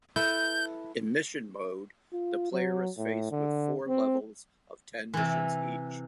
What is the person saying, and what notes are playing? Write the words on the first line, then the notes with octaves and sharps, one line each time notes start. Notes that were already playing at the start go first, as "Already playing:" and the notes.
In Mission Mode, the player is faced with four levels of ten missions each.
E4 A4 B4 G6
F4
F#3
A2
D3
C4
C3 E3